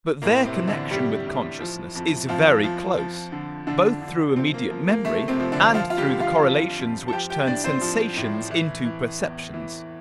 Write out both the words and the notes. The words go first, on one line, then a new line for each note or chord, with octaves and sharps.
But their connection with consciousness is very close, both through immediate memory, and through the correlations which turn sensations into perceptions.
A2 A#3
C3 C4
E3
D3 D4
A2 G3 G4
A2
F3
F2
F2 F3 F4
F3
F3
D3
D3 D4
D3
C3 F3 C4
A#3
F3
A#3
F3 A3
C3 C4
F3
D3 D4
F3 F4
F4
G3 G4
D3
F4 F5
F2
F2
A5
F3 G4 G5
G4 G5
A2 D4 D5
C4 C5
F3
A2
E3
E3
E2
E3